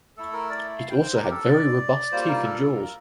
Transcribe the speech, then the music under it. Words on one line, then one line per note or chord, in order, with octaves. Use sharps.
It also had very robust teeth and jaws.
A3 E4 A4
A#4
D5
F5
G5
C5
A#4
G4
A4
D5
G3 A#3 F4 C5
A#4
A4
A4
A#4